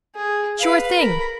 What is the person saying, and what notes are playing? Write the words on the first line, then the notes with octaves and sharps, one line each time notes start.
Sure thing.
G#4
B4 F5
A#4 B5